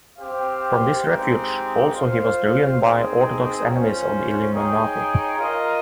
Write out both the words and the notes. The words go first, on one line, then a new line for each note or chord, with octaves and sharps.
From this refuge also he was driven by orthodox enemies of the Illuminati.
C4 G4 C5 F5
G#3 C4 D#4 G4
F4 C5 F5
C4 D#4 G#4
C#4 F4 C5
D#4 G#4 C#5 G5
F4 A#4 D#5